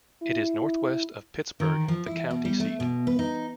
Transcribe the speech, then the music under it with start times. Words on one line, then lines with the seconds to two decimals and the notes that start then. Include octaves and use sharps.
It is northwest of Pittsburg, the county seat.
0.22 E4
1.60 D#3
1.88 F3
2.06 E4
2.31 B2
2.45 G3
2.60 A3
2.80 B2
3.07 B4
3.19 D#4